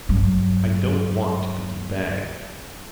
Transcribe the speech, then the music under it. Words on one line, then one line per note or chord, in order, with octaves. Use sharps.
I don't want to be debagged!
G2 F#3